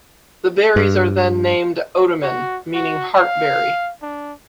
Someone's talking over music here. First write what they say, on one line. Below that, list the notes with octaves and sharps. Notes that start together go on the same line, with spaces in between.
The berries are then named Odamin, meaning heart berry.
G2
F#4
F#4
F5
D4